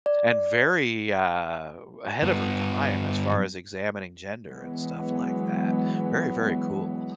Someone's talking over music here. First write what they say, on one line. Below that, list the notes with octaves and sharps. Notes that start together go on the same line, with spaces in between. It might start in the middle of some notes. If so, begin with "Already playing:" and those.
and very, uh, ahead of her time as far as examining gender and stuff like that, very, very cool.
D5
G2 B3
E3 F#3 G#3 B3